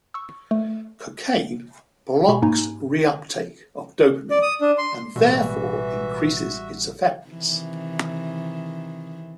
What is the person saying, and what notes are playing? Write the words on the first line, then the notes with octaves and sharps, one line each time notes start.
Cocaine blocks reuptake of dopamine and therefore increases its effects.
C#6 E6
A3
B2 G4 B5 C#6
G#2 A#3 D#4 G#5 A#5
D5
D#6
D4
C6
A1 B2 E3 G3 F#4 E5
C3 D#3 E3